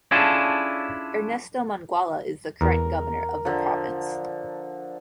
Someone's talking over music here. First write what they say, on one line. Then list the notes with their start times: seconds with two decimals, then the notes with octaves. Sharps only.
Ernesto Muangala is the current governor of the province.
0.11 C#4 D4 E4 F4 G#4 A4
2.61 E2 A#4
3.45 D3 F3